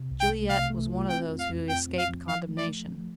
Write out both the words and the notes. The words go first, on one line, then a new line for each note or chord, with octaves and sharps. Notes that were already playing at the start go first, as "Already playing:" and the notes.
Juliette was one of those who escaped condemnation.
Already playing: C3
C2
G5
A3
C3 F5
A3
F4
C4 G5
F2
F5
F2
C4 G5
C4
F5
F3
F3 F5
A3
D5
A3
F3